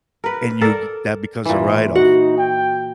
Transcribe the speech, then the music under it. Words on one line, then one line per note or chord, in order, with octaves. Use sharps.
and you get that because of write-off.
A#4 B4
A4 A#4 D5
A#2 E3
D#4 F#4 F#5
G5